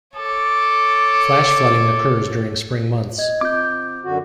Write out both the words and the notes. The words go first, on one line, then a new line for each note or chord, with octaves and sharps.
Flash flooding occurs during spring months.
A4 C#5 D6
D#5 G#6
C4 F4 D6 G6
F#2 D3 F#4